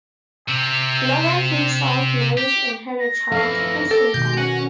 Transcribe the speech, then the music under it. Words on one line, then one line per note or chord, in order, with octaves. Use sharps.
Logan himself married and had a child, who soon died.
C3 C4
G4
A#6
F2 E3 A4 F5
G4 A4
B2 D#3 G6
C#4 F#5 G#5